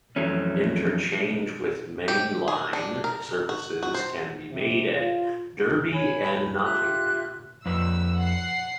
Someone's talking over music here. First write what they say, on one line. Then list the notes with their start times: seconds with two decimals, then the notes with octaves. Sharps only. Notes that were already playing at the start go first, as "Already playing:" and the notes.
Interchange with Mainline services can be made at Derby and Nottingham.
0.16 F2 E3 F#3 A3 C#4
2.08 G4
2.48 G#4
2.73 D4
3.04 A#4
3.49 F#4
3.83 F#4
3.94 C5
4.52 C3
4.93 F4
5.92 C#5 G#5 B5
6.63 F4 G4 E5 F#6
7.66 F2 B4 E6
8.18 F#5 C7